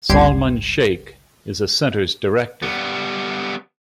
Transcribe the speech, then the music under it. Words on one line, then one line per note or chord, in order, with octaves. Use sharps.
Salman Shaikh is the Center's Director.
G1 C#2 G3 G4 C6 G#6
G3 B3